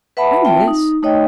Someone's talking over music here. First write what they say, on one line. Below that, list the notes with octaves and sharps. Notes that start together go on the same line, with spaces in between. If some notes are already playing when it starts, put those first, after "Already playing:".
"Oh, yes."
B4 E5 F#5 A5 B5
C4 F4 E5 G5 A5
D#4
A3 D#4 C#5 D#5 G5